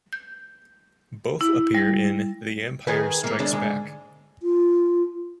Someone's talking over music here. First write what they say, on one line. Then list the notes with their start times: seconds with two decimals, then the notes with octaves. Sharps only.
Both appear in "The Empire Strikes Back".
0.13 G6
1.41 E4
1.74 G3
2.87 D#3 G#4 B4
3.23 G#2 A#3
3.39 D3 G#3 D4
3.52 G#2 D3 G#3
4.43 F4